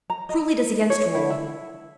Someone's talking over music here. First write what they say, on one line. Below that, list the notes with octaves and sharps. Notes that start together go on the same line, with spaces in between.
Truly it is against rule.
A#5
D#5
C#5
E4
E5